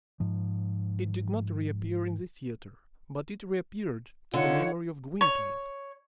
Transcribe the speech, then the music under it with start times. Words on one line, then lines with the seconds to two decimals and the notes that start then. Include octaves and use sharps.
It did not reappear in the theatre, but it reappeared to the memory of Gwynplaine.
0.20 G#2 F3
4.34 D3 D#4 F4 C#5 F#5
5.21 C#5